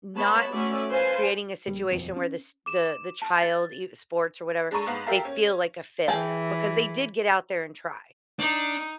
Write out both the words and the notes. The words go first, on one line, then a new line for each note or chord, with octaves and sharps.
not creating a situation where this the the child, i sports or whatever, they feel like a failure because they did get out there and try,
G#3 B3 C#5 A5 B5
A3 C#4 F#4 A4 D5 E5
B4 C5 F5 G#5 A5 C6
A#1 G3
D#1 B1 F2
C#4
D6 E7
A5
A6
G#3 D4 A4 A#5 C#6 D#7
G#2 B3 F5
G4 A4 A#4 E5 F5 A5
C#4
E3 G#4 G5 A5
D4 D#4